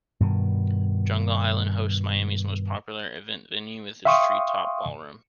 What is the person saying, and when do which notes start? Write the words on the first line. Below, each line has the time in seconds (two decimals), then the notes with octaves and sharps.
Jungle Island hosts Miami's most popular event venue with its Treetop Ballroom.
0.20 G2 B2 D#3
4.05 E5 F5 G5 C6 C#6 D#6